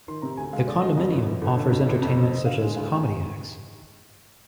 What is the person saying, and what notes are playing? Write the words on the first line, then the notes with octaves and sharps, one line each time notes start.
The condominium offers entertainment such as comedy acts.
D#3 C6
C3 A#5
D2 G#5
G#3 F5
D2 D5
G#3 D#5
F2
G1
G1
G1
D3
F2
G1
F2
C4 D#5
C4 D#5
D3 F5
G#3
D2 F5
G#3